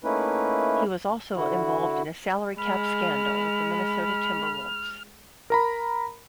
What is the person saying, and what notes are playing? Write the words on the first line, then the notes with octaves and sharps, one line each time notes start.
He was also involved in a salary cap scandal with the Minnesota Timberwolves.
A3 A#3 C#4 D#4 E4 B4
D3 E4 F#4
G#3 B5 F6
A#4 A#5 B5